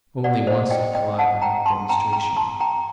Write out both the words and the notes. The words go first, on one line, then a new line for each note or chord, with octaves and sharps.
Only once did Calliope make demonstration.
D5 F#5
C5 D#5
D#5 G5
D#5 G5
F#5 A5
G5 A#5
A5 C6
G5 A#5
G5 A#5
A5 C6
G5 A#5